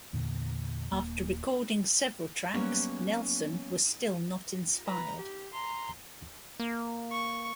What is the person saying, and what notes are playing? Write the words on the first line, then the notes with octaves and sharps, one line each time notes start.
After recording several tracks, Nelson was still not inspired.
E2 A#2 D3
D#1 A#3
F#3 G3 A#3 B3 C#4
B4 A#5
G4
A#5 C6
A#3
C#6